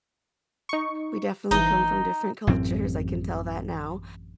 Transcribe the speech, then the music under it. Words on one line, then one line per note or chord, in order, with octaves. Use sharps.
we definitely come from different cultures, I can tell that now,
D#4 C#6
G1 E3 D#4 D#5
A1 F#2 A2 C4